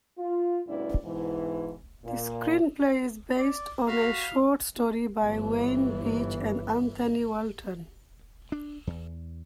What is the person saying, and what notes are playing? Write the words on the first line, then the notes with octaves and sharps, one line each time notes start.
The screenplay is based on a short story by Wayne Beach and Anthony Walton.
F4
D2 G2 B2 C#4 E4 D5
G#2 B2 E3
A#2
D5
F#4 F5 B5
G1 E3
D4
E2